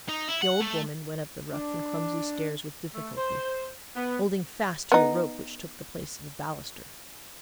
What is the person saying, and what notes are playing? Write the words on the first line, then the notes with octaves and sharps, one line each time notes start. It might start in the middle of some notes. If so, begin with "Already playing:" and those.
The old woman went up the rough and clumsy stairs with difficulty, holding fast to a rope which took the place of baluster.
D#4
E4
F#5
A3
D4
A3
C5
B3
B3 D#4